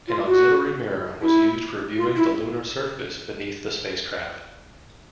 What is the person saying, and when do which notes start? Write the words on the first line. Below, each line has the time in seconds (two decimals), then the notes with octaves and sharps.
An auxiliary mirror was used for viewing the lunar surface beneath the spacecraft.
0.08 F4
0.27 F#4
1.22 E4
1.98 F4
2.16 E4